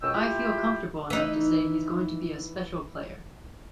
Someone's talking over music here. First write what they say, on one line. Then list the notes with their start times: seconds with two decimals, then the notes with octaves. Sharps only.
I feel comfortable enough to say he's going to be a special player.
0.01 C#2 F#2 B2 D#5 G5 E6
0.14 E4 F4 G4
1.10 E3 D#4